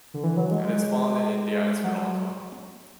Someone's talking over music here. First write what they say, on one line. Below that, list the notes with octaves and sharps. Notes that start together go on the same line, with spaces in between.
It is found in India and Sri Lanka.
D3
E3
F#3
G#3
G#3
F#3